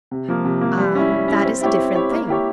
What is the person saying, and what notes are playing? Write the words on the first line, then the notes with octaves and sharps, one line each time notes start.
"Ah, that is a different thing."
C3
F3 A#3
C3
F3 A#3
G3
C#4 E4
G3
C#4 E4
C4
E4 G4 C#5
C4
E4 G4 C#5
A#3
E4 G4 C#5